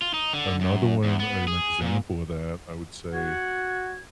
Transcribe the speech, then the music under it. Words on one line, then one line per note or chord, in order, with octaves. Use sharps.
another one, an example of that, I would say,
F4
D#4
D3
F#2
E2
B3
G#4
A#2
F#4 F#5 G#6